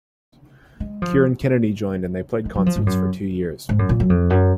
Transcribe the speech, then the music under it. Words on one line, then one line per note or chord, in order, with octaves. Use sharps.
Kieran Kennedy joined and they played concerts for two years.
G#3
F3
G#3
F#3
F3
G#2
F#2
G#2
F#2
A#2
F#2
F2
F#2